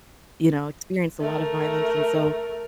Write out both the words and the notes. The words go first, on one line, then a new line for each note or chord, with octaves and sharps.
you know, experienced a lotta violence. And so
A3 A#4